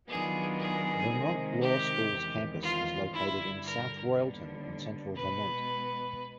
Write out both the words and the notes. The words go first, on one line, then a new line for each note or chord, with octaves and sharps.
Vermont Law School's campus is located in South Royalton in central Vermont.
D#3 F#3 B3 D4 F4 G#4
G#4
C3 D#3 G#3
G4
E2 C3 D#3 G#3
F4
G2 D3 G3 E4
A#4
D#2 D3 G3 B3 D4
B2 G#3 B3 B4